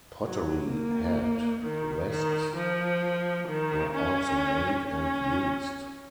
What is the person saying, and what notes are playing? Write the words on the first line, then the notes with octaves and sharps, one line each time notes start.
Pottery head rests were also made and used.
F#3
A#3
D#3
D#3
F3
D#3
C#4
C#4